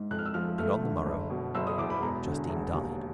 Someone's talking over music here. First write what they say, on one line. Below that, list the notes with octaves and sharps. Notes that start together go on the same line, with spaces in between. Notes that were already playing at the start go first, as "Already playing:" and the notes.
And on the morrow Justine died.
Already playing: G#2
F2 F#6
F6
E6
F3 F6
A3 F6
D3
F#1
B2
F#1 E6
D#6
E2 D6
B5
E1 A#5
D3
E1
D#2